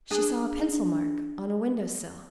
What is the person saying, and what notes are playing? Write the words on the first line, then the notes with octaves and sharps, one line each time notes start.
She saw a pencil-mark on a window-sill.
D4 G#4